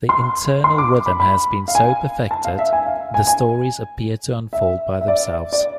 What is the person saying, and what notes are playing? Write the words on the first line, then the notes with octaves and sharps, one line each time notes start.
The internal rhythm has been so perfected, the stories appear to unfold by themselves.
C6
C6
D6
B5
B5
F5
G#5
A5
F5
E5
G#5
F5
G#5
G#5
E5
E5
D5
D5